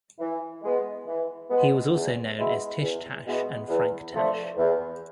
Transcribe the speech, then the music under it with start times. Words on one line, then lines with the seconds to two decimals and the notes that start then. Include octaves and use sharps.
He was also known as Tish Tash and Frank Tash.
0.20 E3
0.63 G#3 B3
1.07 E3
1.50 G#3 B3
1.94 E2
2.38 B2 G#3 B3 E4
2.81 E2
3.25 B2 G#3 B3 E4
3.69 E2
4.13 C3 F3 A3 D4
4.57 E2